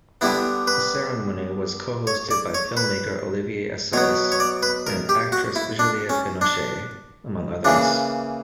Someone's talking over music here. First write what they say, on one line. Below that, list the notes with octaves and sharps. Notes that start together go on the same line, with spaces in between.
The ceremony was co-hosted by filmmaker Olivier Assayas and actress Juliette Binoche, among others.
D3 G3 B3 E4
B4
C#5
D5
C#5
B4
B2 F#3 B3 C#5
C#5
D5
B4
A#4
G4
F#4
E4
D4
C#4
D4
C#3 E3 A#3 D4